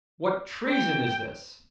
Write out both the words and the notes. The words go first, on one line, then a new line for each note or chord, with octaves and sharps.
"What treason is this?"
G5